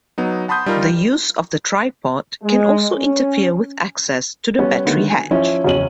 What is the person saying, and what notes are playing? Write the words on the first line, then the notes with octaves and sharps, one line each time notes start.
The use of the tripod can also interfere with access to the battery hatch.
F#3 B3 D#4
F#5 A5 B5 C6 D#6 G6
G3 D#4 F4 A#4
G#3
C#4
G3 B3 C#4
D3 D#3 A3 B3
G#5
F3 C#4 E4
F#1 E2 C#4 D#7 F#7